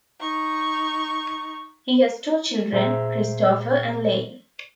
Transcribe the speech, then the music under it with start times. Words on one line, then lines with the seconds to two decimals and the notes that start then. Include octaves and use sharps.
He has two children, Christopher and Leigh.
0.20 D#4 C#6
2.72 A#2 G#4 C5 E5 G5 A#5